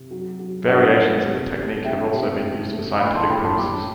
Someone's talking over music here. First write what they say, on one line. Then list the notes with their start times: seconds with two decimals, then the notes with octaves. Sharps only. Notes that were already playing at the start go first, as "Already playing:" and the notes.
Variations of the technique have also been used for scientific purposes.
Already playing: C3
0.11 F#3
0.39 F#3
0.68 G2 D5 F#5
0.98 A3
1.27 C3
1.56 G3
1.84 G3 E5 G5
2.14 C3
2.43 A2
2.71 A3
3.00 A2 G5 B5
3.15 A5 C6
3.29 A2 G5 B5
3.38 D6
3.44 A5 C6
3.58 G3 B5 D6